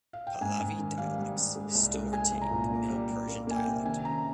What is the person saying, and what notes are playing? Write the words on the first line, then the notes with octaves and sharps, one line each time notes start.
Pahlavi dialects still retain the Middle Persian dialect.
F5
G5
G#2 G#5
G#2
D#3
G3 F5
G3
G3
G#3
C2
G#3
G#3 G#5
C2
A#5
A#2
A#3
G3
G3
A#3
A#3 G#5
G5
C3
D#3 G#5
C#4 A#5